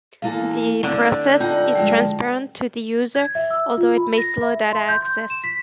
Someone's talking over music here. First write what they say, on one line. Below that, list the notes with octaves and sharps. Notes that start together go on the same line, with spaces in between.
The process is transparent to the user, although it may slow data access.
E3 A#3 E4 A4 F5
D3 A3 C4 D5
D#4 F4 D5 D#5 F#5 G5 A5 G6
G2 F3 G#3 G5
G#6
E5
E6
F4
B5
A#6
E5
C6
G6
C6
E7
B6